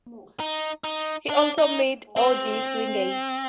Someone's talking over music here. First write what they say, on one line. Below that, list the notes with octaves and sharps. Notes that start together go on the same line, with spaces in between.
He also met Orde Wingate.
D#4
D#4
D4
D#4
C4